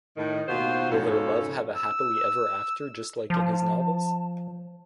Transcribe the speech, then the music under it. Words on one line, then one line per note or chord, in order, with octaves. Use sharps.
Will their love have an happily ever after just like in his novels?
A2 D#3
D#2 B2 F4 F#4 C5
F2 G#2 B2 F3 C#4 A4
E6
F3 A5